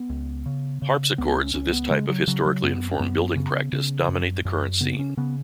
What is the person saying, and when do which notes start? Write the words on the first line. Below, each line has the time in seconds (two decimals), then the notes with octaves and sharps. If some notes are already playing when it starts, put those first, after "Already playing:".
Harpsichords of this type of historically informed building practice dominate the current scene.
Already playing: B3
0.09 C#2
0.46 C#3
0.82 C#3
1.18 C#2 B3
1.36 C#4
1.54 C#2 C#4
1.73 B3
1.90 C#3 G#3
2.09 F#3
2.27 C#3 F#3
2.45 F#3
2.63 F#2 B3
2.91 C#4
3.00 F#2 B3
3.36 C#3
3.72 C#3
4.08 F#2
4.45 F#2
4.81 C#3 B3
4.99 C#4
5.17 C#3 B3